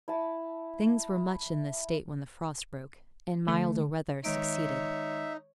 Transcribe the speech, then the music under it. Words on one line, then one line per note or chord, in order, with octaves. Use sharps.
Things were much in this state when the frost broke, and milder weather succeeded.
E4 A5
D3 A3
D#3 G#3 D#4 C#5 E5 D7